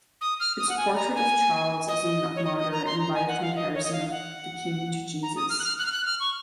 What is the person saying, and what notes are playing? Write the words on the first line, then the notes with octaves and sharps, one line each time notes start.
Its portrait of Charles as a martyr invited comparison of the King to Jesus.
D#6
F6
D#6
F#5
G#5
A#5
G#5
D#5
C#5
D#5
D#5
A#5
C6
A#5
G#5
F#5
F5
D#5
C#5
D#5
F5
F#5
A#5
D#6
F6
F#6
F6
F#6
F6
F#6
F6
C#6